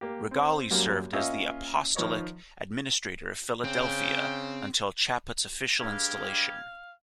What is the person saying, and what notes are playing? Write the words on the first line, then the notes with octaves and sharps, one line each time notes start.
Rigali served as the Apostolic Administrator of Philadelphia until Chaput's official installation.
A#3 G4
C4 C5
F#2 F#3 G3 A#3
A#3 C#4 F4 C#5 D#5 E5
D#3 F3 B4 C#5 D#5
C#3 C4 G5
G2 G#3 G4 F5 G#6